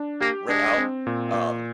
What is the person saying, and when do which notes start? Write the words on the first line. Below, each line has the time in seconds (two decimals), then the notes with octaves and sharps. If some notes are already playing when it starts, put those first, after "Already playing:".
rent out, um,
Already playing: D4
0.21 A#3 G4
0.49 G#3 D4
0.78 C4
1.07 A#2
1.34 A#2